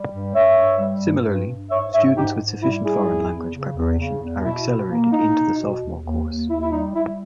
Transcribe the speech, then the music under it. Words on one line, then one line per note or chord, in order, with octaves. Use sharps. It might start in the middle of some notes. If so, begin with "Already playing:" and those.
Similarly, students with sufficient foreign language preparation are accelerated into the sophomore course.
Already playing: G3
G2
G2 C#5 E5
G2
G3
G2
G2
G2
G#2 C#5 E5
G#2 C#5 E5
G#2 D#4 G4
G#2
G3 E4
G#2 E4 G#4
E2
E2
C#3
E2
C#3
E2
B2 E4
B2
A#3
A#3 D#4
B2
B2
D#2
D#2
D#2
D#2 E4
E4
G3 D#4
G3 E4